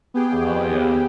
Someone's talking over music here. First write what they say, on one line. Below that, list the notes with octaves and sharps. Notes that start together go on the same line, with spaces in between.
Oh, yeah.
B3 G4 G#4 G5